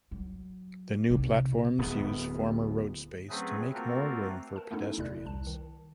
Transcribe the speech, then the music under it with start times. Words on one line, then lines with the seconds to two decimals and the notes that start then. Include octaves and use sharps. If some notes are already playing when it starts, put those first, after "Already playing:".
The new platforms use former road space to make more room for pedestrians.
0.11 F#3
1.10 B1 C3
1.78 D1 B3
3.29 F#3 A3 C4 C#4 G#4 B4
3.74 A3 A#3 C4 F4 F#4 A#4
4.56 A#4 A5
4.71 A3 B3 C#4 D#4 E4 A4
4.97 G1 E2 C3 E4 D5 F#6
5.26 C2 A5
5.47 D#3